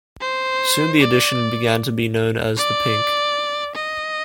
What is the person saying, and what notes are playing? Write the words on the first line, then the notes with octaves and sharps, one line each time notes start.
Soon the edition began to be known as "the Pink".
C5
D5
D5
D#5